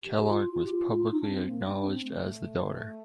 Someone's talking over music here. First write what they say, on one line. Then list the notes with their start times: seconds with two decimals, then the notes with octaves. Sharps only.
Kellogg was publicly acknowledged as the donor.
0.04 G4
0.24 G4
0.28 F4
0.53 F4
0.65 G4
0.72 F4
0.91 F4
1.12 D#4
1.20 D4
1.29 C4
1.47 A#3
1.66 D4
1.86 C4
2.04 A3